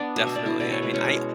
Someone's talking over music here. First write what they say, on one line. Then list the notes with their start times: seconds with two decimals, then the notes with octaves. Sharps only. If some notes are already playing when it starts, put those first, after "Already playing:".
Definitely. I mean, I
Already playing: B3 D4 D5
0.16 B2
0.27 E5
0.35 B2 D5
0.45 E4 E5
0.60 B2 D5
0.71 C#5
0.82 G#3 B4
0.94 C#4 C#5
1.05 G#3